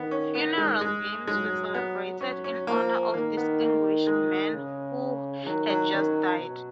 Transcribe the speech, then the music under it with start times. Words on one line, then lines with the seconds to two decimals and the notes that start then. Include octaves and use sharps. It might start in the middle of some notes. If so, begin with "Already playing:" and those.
Funeral games were celebrated in honor of distinguished men who had just died.
Already playing: D#3 B3
0.11 C#4
0.35 B3
0.58 G#3
0.81 G#3
1.27 F#3 G#3
1.74 B3
2.21 F#3 C#4
2.44 C#4
2.67 F3 A#3
3.14 D#3 A#3
3.37 B3
3.61 A#3
4.07 G#3
4.54 C#3
5.46 D#3 F#3
5.70 F#3
5.93 D#3 C#4
6.39 B2